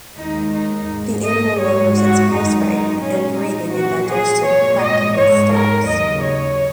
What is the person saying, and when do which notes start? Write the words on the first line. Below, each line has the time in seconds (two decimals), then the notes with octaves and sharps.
The animal lowers its pulse rate and breathing, and digestion practically stops.
0.17 D#2 D#3 G#3 D#4
0.53 D#4
0.89 G#2 G#3
1.24 D#5
1.60 G#2 G#3 C#5
1.96 F#4
2.31 F#2 D#3 G#3 D#4
2.67 D#4
3.03 A#2 G#3 C#4
3.39 D#4
3.74 A#2 F#3 F#4
4.11 G#4
4.46 A#2 G#3 C#5
4.81 D#5
5.17 G#2 G#3 C#5
5.53 A#4
5.88 D#2 C#3 F#3 D#5
6.24 C#5